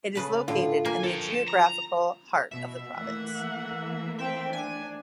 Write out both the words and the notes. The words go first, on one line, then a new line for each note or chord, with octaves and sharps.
It is located in the geographical heart of the province.
C#3 B4 A5
A2 D3 F4
A#3 G#5
F3 A4 G5
A#5
B2 E5
E3 A3 A#3 F#5
C4 E5 G5
D4 G#5